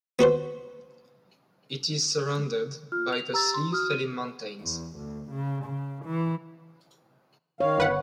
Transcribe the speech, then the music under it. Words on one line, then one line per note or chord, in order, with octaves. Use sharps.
It is surrounded by the Slieve Felim Mountains.
B3 F#4 B4 C5
F4 F6
F7
G4 A#5 E6 A6
C6
F#4 D#6 F6
D#7
E2
D2
C#3
C#3
E3
D#3 C#5 F5
G1 B4 F#5